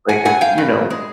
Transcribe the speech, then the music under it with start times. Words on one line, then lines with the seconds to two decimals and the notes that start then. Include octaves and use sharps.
Like, if you know,
0.09 F#5 G#5
0.25 G2 F#5 G#5
0.41 F5 G5
0.58 G2
0.90 G#3